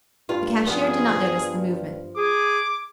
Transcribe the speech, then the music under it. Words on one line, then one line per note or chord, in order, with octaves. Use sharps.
The cashier did not notice the movement.
G2 F4
G2 F3 B3 G#4
G#4 D6